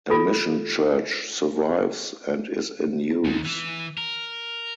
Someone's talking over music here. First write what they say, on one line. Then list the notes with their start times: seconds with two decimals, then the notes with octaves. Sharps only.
A mission church survives and is in use.
0.10 F4 A4
3.25 D#2
3.45 E3
3.98 A#4